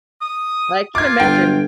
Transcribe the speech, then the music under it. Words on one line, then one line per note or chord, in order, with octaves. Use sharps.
I can imagine.
D#6
F4 D6 G#6
G1 G5